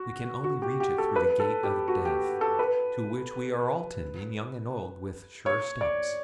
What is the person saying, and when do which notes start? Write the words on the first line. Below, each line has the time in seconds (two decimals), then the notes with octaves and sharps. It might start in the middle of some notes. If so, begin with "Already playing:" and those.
We can only reach it through the gate of death, to which we are all tending, young and old, with sure steps.'
Already playing: F#4
0.44 F#4
0.62 G4
0.80 G4
0.98 A4
1.16 B4
1.40 A4
1.63 G4
1.88 F#4
2.05 G4
2.41 A4
2.59 B4
5.46 C#5
5.81 D5